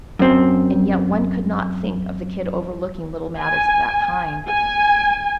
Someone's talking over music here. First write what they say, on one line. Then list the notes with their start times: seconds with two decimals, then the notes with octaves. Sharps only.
And yet one could not think of the Kid overlooking little matters of that kind.
0.19 F#2 C4
3.39 G#5
4.48 G#5